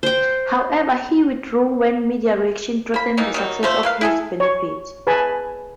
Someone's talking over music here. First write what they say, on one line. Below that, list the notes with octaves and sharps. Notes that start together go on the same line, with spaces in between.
However, "he withdrew when media reaction threatened the success of his benefit".
C5 G5
A#3 B5
D#3 E3 A#3 D#4
D#3 F#3 D#4
F3 A3 C5
A#3 B4 F5
E4 G#4 A4
C#5
G#4 B4 G#5 A5 B5